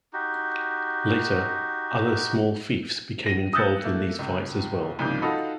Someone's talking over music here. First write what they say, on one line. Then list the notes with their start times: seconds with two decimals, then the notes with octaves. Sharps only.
Later other small fiefs became involved in these fights as well.
0.13 D#4 F#4 G4
3.26 A#6 D#7
3.53 D#6 E6 F#6 G6 A6 C#7
3.84 A3 A#3
4.19 C#2
4.99 C2 G#2 C#3 F3 A#3 G6
5.22 D#4 F4 F#4 A4 D#5 B5